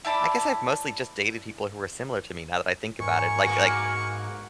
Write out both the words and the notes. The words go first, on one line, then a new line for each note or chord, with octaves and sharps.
I guess I've mostly just dated people who are similar to me now that I think about it, like like
E4 D5 A5 B5
G#2 A#4 G#5 C#6
A#3 B3 F#4